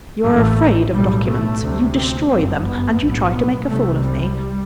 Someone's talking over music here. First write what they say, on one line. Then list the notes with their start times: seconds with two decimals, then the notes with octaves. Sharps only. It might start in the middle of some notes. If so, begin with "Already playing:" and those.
You are afraid of documents, you destroy them, and you try to make a fool of me.
0.22 A1 A2 A3
0.91 B1 A2 G3
1.26 A3
1.60 D2 C3
1.94 C4
2.29 G1 F#2 C4
2.64 B3
2.99 B1 A2
3.33 B3
3.67 C2 C3 A3
4.02 G3